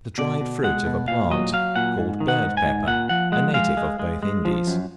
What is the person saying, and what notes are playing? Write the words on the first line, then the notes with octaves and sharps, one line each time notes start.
The dried fruit of a plant called bird pepper, a native of both Indies.
B2 D5
B2
G#3 F#5
B2
A#2 F5
F#3 D#5
F#3 F5
A#2 F#5
G#2
D#3
F#5
G#2
G#5
G#2
A#2 F#5
F3 F#5
G#3 F#5
G#3 F5
G#3
G#3
G#3
F3
F#2